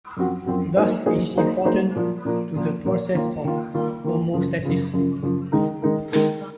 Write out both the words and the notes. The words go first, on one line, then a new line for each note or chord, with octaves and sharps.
Thus, it is important to the process of hemostasis.
F#2 F3 C4 F#4
F#2 F3 C4 F#4
F#3 A#3 D#4 G#4 C5
F#3 A#3 D#4 G#4 C5
F#3 A#3 D#4 G#4 C5
F#3 A#3 D#4 G#4 C5
A#2 F3 A#3
A#2 F3 A#3
A#2 F3 A#3
A#2 F3 A#3
D#3 A#3 F4
D#3 A#3 F4
D#3 A#3 F4
D#3 A#3 F4
F#2 C#3 F3
F#2 C#3 F3
F#2 C#3 F3
F#2 C#3 F3
D#3 G#3 D#4 A#4
D#3 G#3 D#4 A#4
D#3 G#3 D#4 A#4